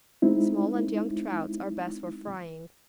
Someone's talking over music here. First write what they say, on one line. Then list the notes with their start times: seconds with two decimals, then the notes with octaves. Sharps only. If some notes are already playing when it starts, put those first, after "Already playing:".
Small and young trouts are best for frying.
0.22 G#3 C4 D#4 E4